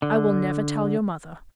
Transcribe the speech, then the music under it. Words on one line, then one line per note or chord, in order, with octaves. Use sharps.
I will never tell your mother.
D3